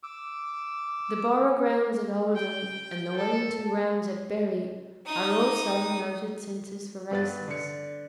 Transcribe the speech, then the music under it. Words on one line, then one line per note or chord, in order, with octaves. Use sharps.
The Borough grounds at Oldham and the Wellington grounds at Bury are also noted centres for races.
D6 E6
G5
A4
D#4 D#6
G2 B3 A6
D3 C#7